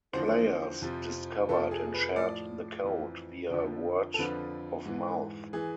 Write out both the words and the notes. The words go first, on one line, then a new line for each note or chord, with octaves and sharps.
Players discovered and shared the code via word of mouth.
E2 D3 F3 C5
F2 C3 F3
F2 C3 F3 A4
G#4
B4
A2 F3 D5
F2 E3
F2 D3 F3
A4
F2 D3 F3 B4
G#2 E3
E3 G#4